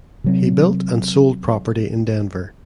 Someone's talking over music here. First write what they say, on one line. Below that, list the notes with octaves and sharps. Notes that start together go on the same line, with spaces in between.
He built and sold property in Denver.
C3 F#3 C4